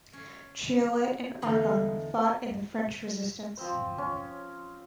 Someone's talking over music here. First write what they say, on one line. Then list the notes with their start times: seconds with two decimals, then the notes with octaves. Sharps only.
Triolet and Aragon fought in the French Resistance.
0.13 C#4
1.42 E2 A2 D3 B3 D#4 F5
3.57 F3 C4 C5
3.98 C#4 F4